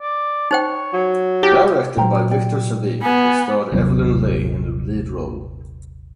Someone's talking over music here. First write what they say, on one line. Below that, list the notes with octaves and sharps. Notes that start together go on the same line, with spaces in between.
Directed by Victor Saville it starred Evelyn Laye in the lead role.
D5
D#4 C5 C#5 G5
F#3
D4 E4 G4
A#2 F#3 C5 G5 A#5
D5 G5
B3 G#5
D#1 G#1 C3 F#3